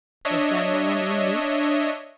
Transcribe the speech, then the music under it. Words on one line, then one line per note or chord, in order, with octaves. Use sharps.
"Does grandmamma mean me?"
D4 C#5 D#5 E5